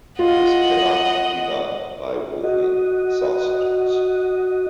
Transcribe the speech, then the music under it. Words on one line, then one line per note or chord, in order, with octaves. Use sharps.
This cannot be done by wolfing sausages.
F4 D#5 F#5
F#4 D#5